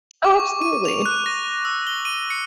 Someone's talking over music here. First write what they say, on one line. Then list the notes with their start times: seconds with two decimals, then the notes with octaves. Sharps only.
Oh, absolutely.
0.24 D6
0.40 C#6
0.62 D#7
0.85 F7
1.06 F#6
1.26 A#6
1.65 E6
1.87 G7
2.05 D#7
2.30 C#7